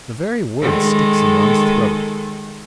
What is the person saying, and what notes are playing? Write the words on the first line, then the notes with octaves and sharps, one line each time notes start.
The very word sticks in one's throat.
D#3 G#3 A4